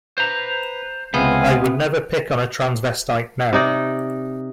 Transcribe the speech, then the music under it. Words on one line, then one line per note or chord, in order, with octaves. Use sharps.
I would never pick on a transvestite now.
B4 C5 A#5
C#2 C3 B3 C4 F5 G#5
C3 D#4 D5